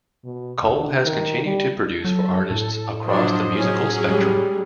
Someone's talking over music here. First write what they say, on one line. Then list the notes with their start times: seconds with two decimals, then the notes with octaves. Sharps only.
Cole has continued to produce for artists across the musical spectrum.
0.24 B2
0.70 D3
1.05 D#3
1.44 G3
2.05 F#3 A4
2.51 A2
3.06 F3 F#3 D4 C5 D#5
3.54 F#3 C#4 G#4
4.08 G3 G#3